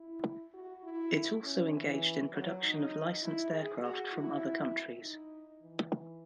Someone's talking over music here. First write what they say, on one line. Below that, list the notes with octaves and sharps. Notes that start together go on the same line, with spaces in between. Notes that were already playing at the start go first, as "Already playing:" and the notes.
It also engaged in production of licensed aircraft from other countries.
Already playing: E4
F#4
E4
C#4
E3
F#3
D#4
E4
G#4
F#4
E4
D#4
E3